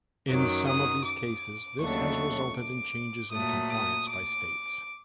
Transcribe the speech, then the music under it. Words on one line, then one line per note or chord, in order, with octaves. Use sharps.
In some of these cases, this has resulted in changes in compliance by states.
F#2 D#3 F#3 D6
D#6
D6
D#2 C#3 F#3 A3 D4 C#6
D6
A#2 F#3 A3 D#6
D#6
D6